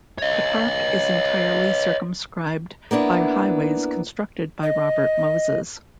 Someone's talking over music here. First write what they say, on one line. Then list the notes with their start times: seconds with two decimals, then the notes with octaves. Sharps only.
The park is entirely circumscribed by highways constructed by Robert Moses.
0.18 C#5 D#5
2.91 A#3 B3 D4 E4
4.63 D#5